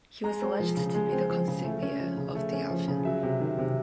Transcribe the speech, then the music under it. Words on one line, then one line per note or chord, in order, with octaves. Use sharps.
He was alleged to be the Consigliere of the Outfit.
G#3 A#5
C4
F3
C#3
G#3
C4
F3
C#3
A3
C#4
F3
C#3
A3
C#4
F3
C#3
F#3 E5
C3
D#3
C3